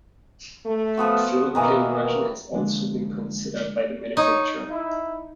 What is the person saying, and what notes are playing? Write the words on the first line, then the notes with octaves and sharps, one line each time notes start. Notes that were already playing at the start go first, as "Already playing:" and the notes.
A floatplane version has also been considered by the manufacturer.
A3
F3 B3 F#4
B2 D#3 E3 A#3
D3 E3 F3 G#3 A#3 D4
D#4 C#5
E4